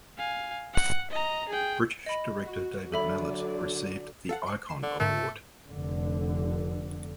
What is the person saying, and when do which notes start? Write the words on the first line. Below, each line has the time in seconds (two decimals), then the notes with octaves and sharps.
British director David Mallet received the Icon Award.
0.18 F5 G#5
0.74 F#5
1.11 D#5 A#5
1.49 G#4 G5
2.06 D#5 B5
2.44 F#4
2.92 D3 F#3 A4 D5 E5 B5
4.29 A4 F5 F#5
4.46 C#6 C7 D7
4.69 C7 E7
4.83 D3
5.00 G#2 D3 A3 A#3
5.69 F1 D3